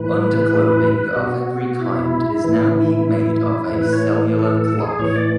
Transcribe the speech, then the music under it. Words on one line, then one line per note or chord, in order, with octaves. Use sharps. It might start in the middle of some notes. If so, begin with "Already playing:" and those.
Underclothing of every kind is now being made of a cellular cloth.
Already playing: A2 E3 B4
B2 F#4
E4
A2 E3
A2 E3
B4
C#5
A4
A4
G#4
A2 E3 C#5
D5